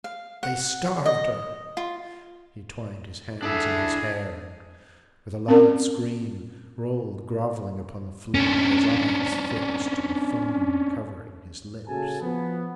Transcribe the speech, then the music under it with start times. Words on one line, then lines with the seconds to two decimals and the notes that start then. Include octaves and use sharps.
They starved her!' He twined his hands in his hair; and, with a loud scream, rolled grovelling upon the floor: his eyes fixed, and the foam covering his lips.
0.04 F5
0.43 F#5
1.06 D#5
1.77 F4
3.43 D4 E4 G#4 A4 E5
5.48 C4 C#4 A#4
8.35 C#4 D4
11.88 A#2 C#3 F#4 A4 G#5 A5
12.22 F3 B3